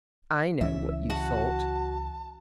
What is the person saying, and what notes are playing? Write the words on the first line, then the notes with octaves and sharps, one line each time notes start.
"I know what you thought."
C#2 E3 C#4 E5
F#4 F#5 A5